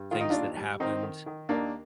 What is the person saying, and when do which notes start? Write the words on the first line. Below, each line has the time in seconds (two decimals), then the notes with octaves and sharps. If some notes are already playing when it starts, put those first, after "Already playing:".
things that happened.
Already playing: G2
0.11 D#3 F4
0.21 D#4
0.30 D#2 D4 F4
0.57 G3
0.80 D#3 C4 D#4
1.03 D#3
1.26 D#3
1.49 D#2 A#3 D4